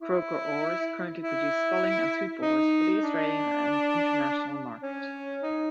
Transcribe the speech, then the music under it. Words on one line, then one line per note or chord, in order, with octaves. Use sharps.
Croker Oars currently produce sculling and sweep oars for the Australian and international market.
E4
E4
D#4
D4
C#4
D#4